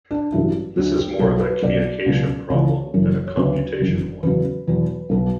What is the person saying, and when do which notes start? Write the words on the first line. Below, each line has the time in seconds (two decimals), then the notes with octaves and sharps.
This is more of a communication problem than a computation one.
0.11 D4
0.32 A1 G2 F#3 E4
0.76 D2 D3 F#3
0.99 G4
1.20 B1 B2 F#3 A4
1.41 B4
1.63 B1 B2 F#3 D5
2.06 C#2 B2 F#3
2.50 C#2 C#3 E3 C#5
2.94 F#1 F#2 E3
3.27 C#5
3.37 D2 C#3 F#3 B4
3.80 G1 F#2 E3
4.23 E2 C#3 F#3 B4
4.67 E2 B2 F#3
5.10 B1 B2 F#3